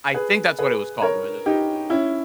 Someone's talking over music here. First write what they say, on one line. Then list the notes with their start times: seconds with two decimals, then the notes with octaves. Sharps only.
I think that's what it was called, "The Magician's Apprentice." Yes,
0.14 G#4 B4
0.59 G#4 B4
1.02 A#4 C#5
1.46 D#4 G4
1.90 C#4 E4